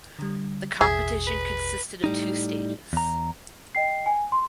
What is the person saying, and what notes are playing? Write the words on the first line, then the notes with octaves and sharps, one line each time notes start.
The competition consisted of two stages.
D3 G3
A1 E2 B2 G#4 E5
B4
A2 G3 D#4
E2 A#5
D#5 G5 C7
G#5
C6